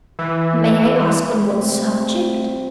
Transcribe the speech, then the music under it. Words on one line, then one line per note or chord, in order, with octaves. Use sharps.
"May I ask on what subject?"
E3
C3 G3 A3